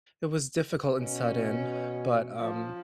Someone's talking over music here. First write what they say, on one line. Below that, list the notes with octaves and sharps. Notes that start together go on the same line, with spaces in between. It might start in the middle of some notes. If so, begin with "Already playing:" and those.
it was difficult and sudden, but, um
B2 C#4
F3